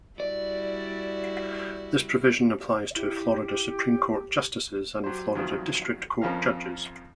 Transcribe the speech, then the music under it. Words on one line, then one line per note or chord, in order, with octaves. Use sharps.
This provision applies to Florida Supreme Court justices and Florida District Court judges.
G3 E4 F#4 D5
E4 G4
F#3 G4 C5
D2 G2 C3 D#3 F3 F#3
G#1 F2 F3 C#4 A#4 F5